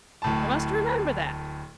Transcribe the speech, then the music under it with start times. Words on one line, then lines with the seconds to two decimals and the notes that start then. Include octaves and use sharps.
I must remember that.
0.22 D1 A2 A5